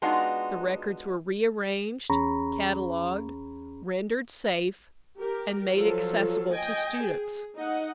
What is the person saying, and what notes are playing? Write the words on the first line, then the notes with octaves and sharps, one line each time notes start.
The records were rearranged, catalogued, rendered safe, and made accessible to students.
G#3 B3 D4 D#4 F4 F#4
E2 C#4 G#4 A#5 B5 C#6
G4 A#4
F3 F#3 F4 A4
D#5 G5 G#5
G#4
D#4 D#5 F#5